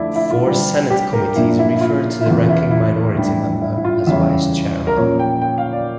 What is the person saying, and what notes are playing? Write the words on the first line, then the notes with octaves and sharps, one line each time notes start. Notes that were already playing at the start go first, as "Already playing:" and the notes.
Four Senate committees refer to the ranking minority member as Vice Chairman.
Already playing: F2 D3 A3 D4 E4 D5
E4
F4
D3 G3 D4
G4
A#4
A#2 F3 A#3 D4 E4
E4
E4
F4
E4
E2 C#3 E3 F4
E4
E4
A2 E3 G3 D4
E4
E4
F4
E2 C#3 G3 C#4 E5
A#4
A#2 F3 C#4 C#5
G5
G5
F5
D5